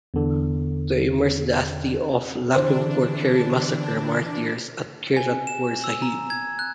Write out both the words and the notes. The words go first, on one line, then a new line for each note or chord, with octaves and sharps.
To immerse the asthi of Lakhimpur Kheri massacre martyrs at Kiratpur Sahib.
E2 D3
D3 E3 D4 C5
G#5
E7
E6
A#5
G#6
F#6